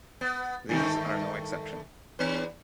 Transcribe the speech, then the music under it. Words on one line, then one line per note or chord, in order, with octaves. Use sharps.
These are no exception.
B3
G2 D#3 A3
E2 B3 B4